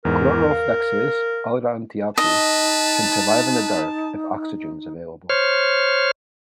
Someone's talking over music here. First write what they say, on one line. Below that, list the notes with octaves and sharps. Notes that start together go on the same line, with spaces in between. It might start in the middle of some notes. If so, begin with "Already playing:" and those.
"Chloroflexus aurantiacus" can survive in the dark if oxygen is available.
E2 G#2 A#4
F5
D#4 B4 D#5 A5
C5 C#5 F6